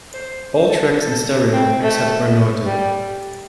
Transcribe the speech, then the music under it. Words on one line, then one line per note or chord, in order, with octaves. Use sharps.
All tracks in stereo, except where noted.
C5
A4
A4
C4
A3
G3